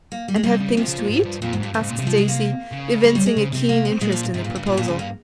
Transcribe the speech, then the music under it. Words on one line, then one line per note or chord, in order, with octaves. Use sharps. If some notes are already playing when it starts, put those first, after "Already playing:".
"And have things to eat?" asked Stacy, evincing a keen interest in the proposal.
A#3
G3
G#3
C3 G3
C#3
C3 F3
C#3
A#2
G#2
G2
F2 A#2
G#2
G2 A#2
G2 C#3
G#2
A#2
C3 G3
F3
G#3
A#3
C#3
G#3
G3
G#3
C#3 C4
C3 C4
A#3
C4
A#2 G#3
F3
C#3
G#2 C3
A#2
G2
C#3
A#2
A#2
C#3
A#3